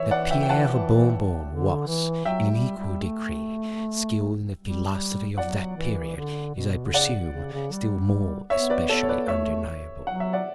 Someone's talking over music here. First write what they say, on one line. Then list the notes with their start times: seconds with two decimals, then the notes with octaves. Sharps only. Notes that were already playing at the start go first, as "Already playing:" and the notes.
That Pierre Bon-Bon was, in an equal degree, skilled in the philosophy of that period is, I presume, still more especially undeniable.
Already playing: E3 C#5 E5
0.11 D5 F#5
0.30 E5 G5
0.42 G5
0.50 F#5 A5
1.47 D3
1.87 E3
2.25 F#3 E5 G5
2.52 G3
2.77 G3
3.03 A3
4.60 G3
5.38 F#3 D5 F#5
5.77 E3
6.17 D3
6.55 B2
6.86 D3
6.94 C#3 D5 F#5
7.33 C#3
7.53 C#3
7.72 G3
8.50 B3 C#5 E5
8.70 B4 D5
8.89 B3 A4 C#5
9.03 C#5
9.09 B4 D5
9.28 A3 C#5 E5
10.07 F#3 F#5
10.20 E5
10.33 D5 F#5